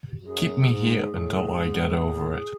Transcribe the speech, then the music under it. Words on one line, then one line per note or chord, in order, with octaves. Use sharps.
Keep me here until I get over it.
F#2 G#4
G#2
A2
G#2
A2